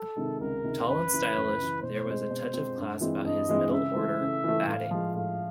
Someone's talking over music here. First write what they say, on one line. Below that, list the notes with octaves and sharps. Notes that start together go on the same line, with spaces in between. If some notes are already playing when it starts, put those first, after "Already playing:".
Tall and stylish, there was a touch of class about his middle-order batting.
Already playing: A4
C3 D#3 G#3
C#2 A#4
C3 D#3 G#3
F#2 B4
C#3 E3
F#2
C#3 E3
B2 C5
G#3 C4
B2
G#3 C4
G2
E3 G#3 C4
G2 D#5
E3 G#3 C4
C#3 E5
E3 A3
C#3
E3 A3
A2 F5
F3 G#3
A2 F5